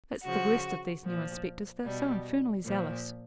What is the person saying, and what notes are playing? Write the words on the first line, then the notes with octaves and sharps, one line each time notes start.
That's the worst of these new inspectors, they are so infernally zealous.'
C#3 F3 F#4
A#2 F3
B2 G3
A#2 F3